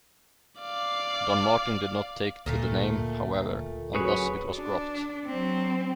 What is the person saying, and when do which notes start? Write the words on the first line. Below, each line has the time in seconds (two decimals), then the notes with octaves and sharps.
Don Martin did not take to the name, however, and thus it was dropped.
0.60 D5 F5
2.46 D2 A#2 A3
3.95 F#3 C#4 G#4 B4 C#5
4.56 D4
5.26 F#3 C4